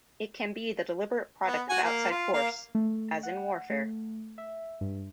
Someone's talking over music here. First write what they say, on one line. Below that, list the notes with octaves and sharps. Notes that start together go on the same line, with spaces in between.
It can be the deliberate product of outside force, as in warfare.
B3
F#4 G#5
A#3
F4
A#3 F5
A3
F#5
A3
E5
G2